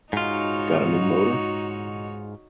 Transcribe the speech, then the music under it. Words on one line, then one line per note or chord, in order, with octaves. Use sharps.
Gotta New Motor?
G#2 D#4 F4 F#4 C#5